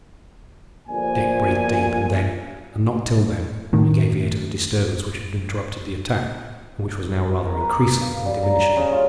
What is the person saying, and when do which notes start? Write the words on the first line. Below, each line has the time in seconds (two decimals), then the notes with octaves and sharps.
Dick breathed deep, and then, and not till then, he gave ear to the disturbance which had interrupted the attack, and which was now rather increasing than diminishing.
0.88 G1 A#2 F3 G#5
3.73 A2 D#3
7.46 A#4
7.60 B4
8.01 F5
8.26 G3
8.43 A#5
8.76 C#3
8.92 F4